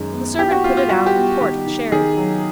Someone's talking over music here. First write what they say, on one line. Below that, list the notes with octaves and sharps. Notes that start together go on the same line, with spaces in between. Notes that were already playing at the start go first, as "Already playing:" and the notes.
The servant put it out, port and sherry.
Already playing: F#2 D#3 G#3
B3
E4 G4
F#4
B3 F4
F4
G3 F#4
G4
B3
D#3 G4
D#3
D#3 G#4
F#3